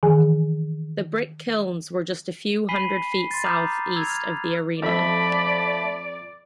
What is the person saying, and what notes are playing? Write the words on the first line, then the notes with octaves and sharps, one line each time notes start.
The brick kilns were just a few hundred feet southeast of the arena.
D#3 E3 G#4 G#5
G#5 B5 B6 C7 D#7 G7
C7
C6 A6
A#5 B5 D6 D#6 F6 G6
E6 G#6 F7
F6 G#6
F2 F3 A3 D5 E5 B5